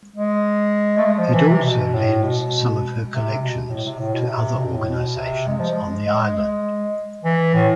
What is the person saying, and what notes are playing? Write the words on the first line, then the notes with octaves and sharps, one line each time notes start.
It also lends some of her collections to other organisations on the island.
G#3
A3
G#3
F3
E3
C3
B2
A2
B2
C3
B2
A2
C3
A2
B2
C3
B2
A2
B2
C3
G#3
F3
G#3
G#3
G#3
G#3
E3
A2